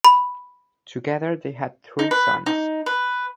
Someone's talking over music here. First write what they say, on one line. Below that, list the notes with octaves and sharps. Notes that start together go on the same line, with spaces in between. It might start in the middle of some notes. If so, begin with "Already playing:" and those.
Together they had three sons.
B5
D#4
B4
D#4
B4